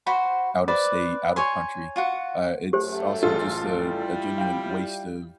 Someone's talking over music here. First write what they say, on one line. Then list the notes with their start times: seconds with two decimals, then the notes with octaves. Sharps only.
out of state, out of country. Uh, it's also just a a genuine waste of,
0.06 F#4 C5 B5
0.68 B4 C5 D5
1.36 C#5 G#5 C6
1.96 F4 F#4 F#5
2.73 F#2 A3 G4 C5
3.23 A1 F4 G#4 A4
3.77 G3 E4
4.38 F5 G5